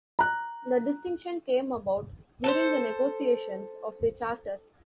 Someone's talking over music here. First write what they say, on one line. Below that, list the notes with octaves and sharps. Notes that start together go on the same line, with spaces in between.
The distinction came about during the negotiations of the "Charter".
A#5 F#6
A4 B4 C5